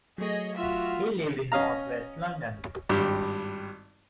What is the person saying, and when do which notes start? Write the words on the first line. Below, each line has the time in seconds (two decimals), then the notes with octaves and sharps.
He lived in northwest London.
0.18 F#3 A3 G#4 C#5 D#5
0.56 F4 F#4 E5 F6
1.52 C#4 D#5 F5 A#5
2.89 G#1 G2 G4